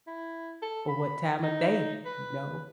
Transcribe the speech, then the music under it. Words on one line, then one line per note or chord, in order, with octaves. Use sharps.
or what time of day, you know?
E4
A4
B5
D#4
B4